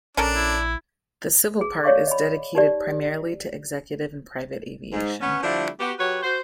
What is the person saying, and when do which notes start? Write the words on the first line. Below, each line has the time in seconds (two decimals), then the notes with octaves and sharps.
The civil part is dedicated primarily to executive and private aviation.
0.17 A#1 C#4 D4 A4 A#4
0.35 E4
1.61 G#4
1.84 C#5 D5 F5 C#6 D6
2.07 D#5 B5
2.55 D#4 G4 D5
4.93 G#2
5.21 B3 C#4
5.43 D3 F3 G3 A3 D4 E4
5.79 B3 F#4 G4
5.99 F#3 F#4 G4 B4 C#5
6.23 F#4 C5